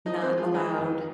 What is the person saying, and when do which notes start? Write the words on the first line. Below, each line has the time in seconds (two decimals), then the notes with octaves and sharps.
not allowed
0.06 F3 D#4 D#5
0.22 C4 C5
0.30 G#3
0.38 F3 F4
0.54 D#3 G#3 D#4
0.78 F2